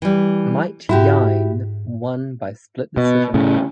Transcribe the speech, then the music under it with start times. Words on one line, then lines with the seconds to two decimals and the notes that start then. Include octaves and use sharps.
Mite Yine won by split decision.
0.02 E3 G3
0.89 G#2 E4 F#4 G4
2.97 B2
3.34 A2 C#3